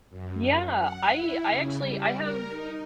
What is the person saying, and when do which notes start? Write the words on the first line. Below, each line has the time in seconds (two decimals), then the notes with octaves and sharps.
Yeah, I I actually I have,
0.10 F#2
0.79 F#5
1.12 E4
1.46 C#3
1.78 G3
2.16 A#4
2.49 D#4